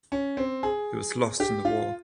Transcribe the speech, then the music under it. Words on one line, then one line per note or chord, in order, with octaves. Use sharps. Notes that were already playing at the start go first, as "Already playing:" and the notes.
It was lost in the war.
C#4
C4
G#4
G4
F4